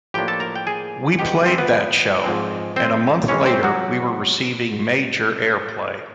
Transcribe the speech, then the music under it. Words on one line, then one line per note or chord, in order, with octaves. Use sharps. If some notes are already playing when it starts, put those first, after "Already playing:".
We played that show, and a month later we were receiving major airplay.
A2 F3 A#3 D4 G4 G5
A4 A5
A#4 A#5
G5
G#4 G#5
C3 D#3 G#3 B3 D#4 G4 G5
C4 C5
B3 B4
G#2 F3 G#3 C4
C4 C5
C3 E3 G#3 C#4 C#5
C4 C5
F#3 F#4